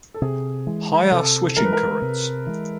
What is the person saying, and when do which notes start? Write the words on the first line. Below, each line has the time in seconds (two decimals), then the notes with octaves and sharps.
Higher switching currents.
0.14 A4
0.22 C3 G#4
0.67 E3 G#3
1.11 C3 A4
1.57 E3 G#3 A#4
1.64 B4
1.73 A#4
2.02 C3
2.47 E3 G#3